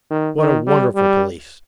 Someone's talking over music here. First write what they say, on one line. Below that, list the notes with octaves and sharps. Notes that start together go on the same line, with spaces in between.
What a wonderful Police!
D#3
D#3
G3
G3